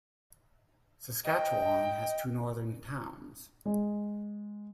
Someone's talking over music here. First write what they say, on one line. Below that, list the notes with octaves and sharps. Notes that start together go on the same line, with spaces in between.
Saskatchewan has two northern towns.
D#5 G5
G#3